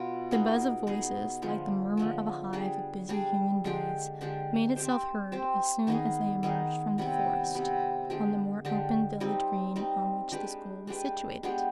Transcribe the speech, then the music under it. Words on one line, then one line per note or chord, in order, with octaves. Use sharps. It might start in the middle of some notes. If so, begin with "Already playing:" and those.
The buzz of voices, like the murmur of a hive of busy human bees, made itself heard as soon as they emerged from the forest on the more open village-green on which the school was situated.
Already playing: B2 B3 F4
B3 D#4 G#4
B3 D#4 G#4
D3 F3 G#3 B3
D3 F3 G#3 B3
G3 D4 G#4
G3 D4 G#4
D3 G#3 D4 G4
D3 G#3 D4 G4
C4 G4 C5
C4 G4 C5
D#3 B3 D#4 G#4
D#3 B3 D#4 G#4
C3 G3 B3
C3 G3 B3
D3 G#3 D4 G4
D3 G#3 D4 G4
G3 C4 D#4
G3 C4 D#4
G#3 D4 G4 B4
G#3 D4 G4 B4
G#3 B3 D4 G4